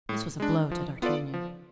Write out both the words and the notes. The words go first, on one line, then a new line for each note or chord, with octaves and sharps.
This was a blow to D'Artagnan.
A2
G#3 D4
F3
B3 F4 A4 D5
F3